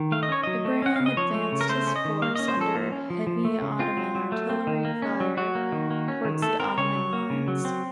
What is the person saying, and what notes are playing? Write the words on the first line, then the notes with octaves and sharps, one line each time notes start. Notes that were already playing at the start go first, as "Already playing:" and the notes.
Ibrahim advanced his force, under heavy Ottoman artillery fire, towards the Ottoman lines.
Already playing: D#3
A3 F5
D#5
C#4 C#5
F#3 D#5
A3
C#4 F#5
C#3 F5
D#5
F3 C#5
A3
C#3
A#4
A3 C5
C#4
D#5
D#3
A#3 F5
C#4 D#5
C5
F3 A4
A#3
C#4
F3
F3
A3
C#3
C4 F4
F#3
F#3
A3
C4
D#3
A#3
C#4
F#3
F#3 F#4
A#3
D#3
A#3
C#4
D#3
A3 A4
C4 A#4
C#3 C#5
F#3
A#3
C#3
F#3
C4